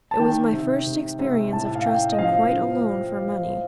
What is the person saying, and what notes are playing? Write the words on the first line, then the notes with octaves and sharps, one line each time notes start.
It was my first experience of trusting quite alone for money.
A5
D#3 G5
C3
C3
C3
A2 A5
F5
A2 G5
D#5
F3 F5
F3